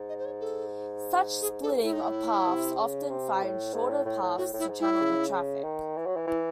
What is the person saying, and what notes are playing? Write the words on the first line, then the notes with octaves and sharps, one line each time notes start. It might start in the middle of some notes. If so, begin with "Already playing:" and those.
Such splitting of paths often finds shorter paths to channel the traffic.
Already playing: G#2
D#5
C5
C#5
A4
G#4
A4
A2 E4
D#4
E4
C3
C#3
C3
A2
G#2
A2
A2
A2
A2 F#4
A2
E4
G#2
A2 E4
C#3
D#3
E3
F#3
E3
E3 E4